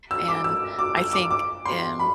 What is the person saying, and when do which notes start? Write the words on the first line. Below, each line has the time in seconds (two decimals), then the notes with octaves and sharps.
and I think, um,
0.11 E6
0.28 D6
0.44 E6
0.79 D6
0.97 E6
1.13 D6
1.31 D6
1.65 C6
1.99 B5